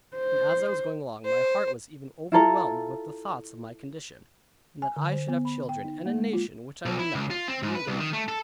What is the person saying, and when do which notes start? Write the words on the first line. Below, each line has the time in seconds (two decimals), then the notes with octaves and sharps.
And as I was going along, my heart was even overwhelmed with the thoughts of my condition, and that I should have children, and a nation which I knew not, ruled over them.
0.17 C5
1.25 C5
2.32 E4 F4 A4 A#5
4.82 G#5
4.96 D3
5.12 C5
5.29 B3
5.45 B5
5.69 G5
5.84 D#4
6.06 A#3
6.19 G#3
6.33 F4
6.85 B1
6.99 E4
7.15 C#2
7.30 F4
7.48 C4
7.63 G#2
7.75 B4
7.87 C2
8.00 D#3
8.13 A3
8.28 A4